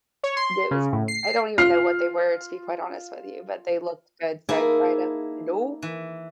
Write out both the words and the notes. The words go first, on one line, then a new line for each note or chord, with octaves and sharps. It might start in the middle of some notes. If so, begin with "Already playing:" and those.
there was I don't even know what they were, to be quite honest with you, but they looked good, so, I tried them nope,
C#5
C6
C#3
A2
C7
F4 F6 C7
A#3 D#4 E4 G#4 A4
E3